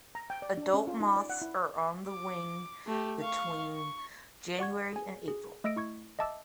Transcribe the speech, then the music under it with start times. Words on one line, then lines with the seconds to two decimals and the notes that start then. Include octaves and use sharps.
Adult moths are on the wing between January and April.
0.15 A#5
0.30 G5
0.42 D5
0.57 D4
0.74 C#4
0.87 F4
1.00 D#4
1.16 D5
1.30 F#5
1.42 E4
2.08 D6
2.87 A3 G4
3.20 F5 C#6
3.74 C#6
4.59 D5 F#5 C#6 G#6
4.93 G#4 G#5
5.28 G#4
5.64 A3 D#5 E6 A#6 D7
5.76 E4 C#6 G#6
6.19 D#5 E5 A5 D6 E6